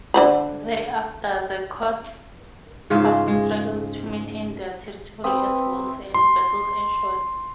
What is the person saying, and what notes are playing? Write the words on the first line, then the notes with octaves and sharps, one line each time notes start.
Thereafter, the Counts struggled to maintain their territory as wars and battles ensued.
D3 C5 B5
G#2 C#3 F4 E5
G#3
C4 B4 E5 D#6
C6